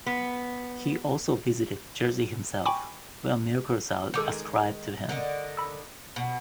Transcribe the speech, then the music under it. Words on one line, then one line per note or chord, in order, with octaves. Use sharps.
He also visited Jersey himself, where miracles are ascribed to him.
B3
G5 G#5 B5 C#6 D6
D#3 G#3 A4 D6 G6
D3 A#4 D#5
B5 E6
B2